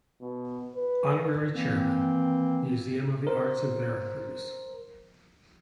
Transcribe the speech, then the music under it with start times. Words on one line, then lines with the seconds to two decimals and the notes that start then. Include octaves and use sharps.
Honorary Chairman: Museum of the Arts of Veracruz.
0.21 B2
0.75 B4
1.54 D#3 E3 A#3 C4
3.27 A#4 C5